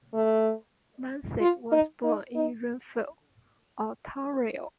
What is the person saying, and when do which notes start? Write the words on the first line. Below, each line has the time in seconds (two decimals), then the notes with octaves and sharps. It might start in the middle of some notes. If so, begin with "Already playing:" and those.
Lindsay was born in Renfrew, Ontario.
0.14 A3
1.40 F4
1.72 D#4
2.04 D#4
2.36 D#4